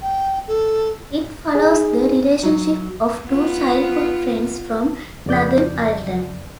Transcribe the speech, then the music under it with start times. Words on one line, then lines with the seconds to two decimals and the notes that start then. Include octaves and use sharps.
It follows the relationship of two childhood friends from Northern Ireland.
0.02 G5
0.48 A4
1.55 D#4 G#4
2.43 F#3
3.26 B3 F4
5.26 F2 C#3 D5 G6